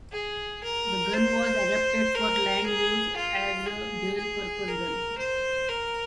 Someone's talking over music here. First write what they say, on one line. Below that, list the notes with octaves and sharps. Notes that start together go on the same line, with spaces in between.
The gun was adapted for land use as a dual-purpose gun.
G#4
A#4
C5
A#4
G#4
F4
G#4
G#4
A#4
C5
A#4